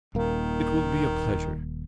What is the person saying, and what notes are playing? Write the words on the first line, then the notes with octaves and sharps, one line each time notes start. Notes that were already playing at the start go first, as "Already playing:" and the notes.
"It will be a pleasure."
D#1 D#3 A#3